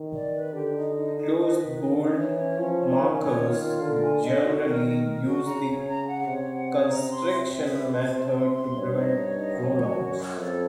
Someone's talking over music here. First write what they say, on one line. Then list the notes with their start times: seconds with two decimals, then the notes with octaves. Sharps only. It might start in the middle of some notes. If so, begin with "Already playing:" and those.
Closed bolt markers generally use the constriction method to prevent "roll outs".
Already playing: D#3
0.13 D5
0.32 B4
0.53 D3 G4
0.73 D#4
0.94 D#4
1.15 D#4
1.35 D#3 D#4
1.56 B4
1.77 D#4
1.97 D#4
2.17 E3 C#5
2.37 C#4
2.58 F3 C#4
2.79 C#5
2.99 D#3 C#4
3.20 C#5
3.41 F4
3.61 F4
3.81 D3 A#4
4.03 G#5
4.23 D3 D#5
4.43 F#4
4.63 D#3 A#4
4.85 A#4
5.04 A#4
5.25 F#4
5.45 C#3 A#5
5.66 C#5
5.87 A#5
6.07 F#5
6.27 C3 C#5
6.48 F#5
6.69 C#5
6.89 A#5
7.09 C6
7.31 E5
7.51 E5
7.71 B4
7.91 C6
8.13 A5
8.33 C6
8.53 C6
8.74 G2 C#5
8.94 D#4
9.14 C#5
9.36 D#4
9.56 F#2 C#5
9.76 F#4
9.97 C#5
10.18 C#5
10.37 F2 A4